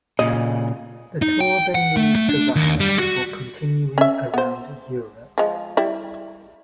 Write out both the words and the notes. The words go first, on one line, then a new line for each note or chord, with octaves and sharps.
The tour then moved to Russia, before continuing around Europe.
A#2 C#3 D#5
D#4
G5
F#5
A3
A3
D4
D#2
G3
F#4
C#4 E5
B3 C5
F3 G#3
G3 E4